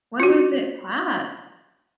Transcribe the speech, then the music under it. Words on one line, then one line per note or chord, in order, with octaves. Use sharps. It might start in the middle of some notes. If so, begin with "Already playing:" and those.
when was it passed?
F4 F#4